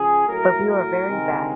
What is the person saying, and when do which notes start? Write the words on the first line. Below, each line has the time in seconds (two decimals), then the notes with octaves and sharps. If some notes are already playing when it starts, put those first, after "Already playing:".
But we were very bad.
Already playing: C#3 F3 G#4
0.27 A2 F#3 A3 A#4
0.68 A#4
1.08 C3 D#3 G#3